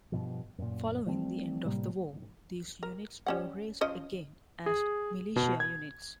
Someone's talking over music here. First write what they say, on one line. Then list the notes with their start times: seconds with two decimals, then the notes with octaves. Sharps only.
Following the end of the war, these units were raised again as militia units.
0.12 G2 B2 F3
0.58 F#2 A#2
1.06 F3 G3 A3 C4
1.65 A2 C3 G3 A#3
2.83 A#4
3.26 G3 C#4 F#5
3.81 F3 C#4 D#5
4.66 G#4
5.36 B2
5.60 G#6